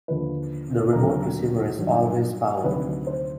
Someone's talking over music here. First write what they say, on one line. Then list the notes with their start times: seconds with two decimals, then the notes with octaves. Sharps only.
The remote receiver is always powered.
0.08 D#2 D3 F3 B4
0.93 D#2 D3 F#3 A#4
1.01 A4
1.09 A#4
1.79 G2 D#3 F#3
2.64 D2 C3 D#3 F#3 B4
3.07 C5